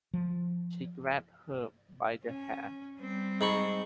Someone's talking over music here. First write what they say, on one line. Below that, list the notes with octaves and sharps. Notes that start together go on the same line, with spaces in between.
She grabbed her by the hair.
F3
C#4
G3 C4
G#2 B5 C#6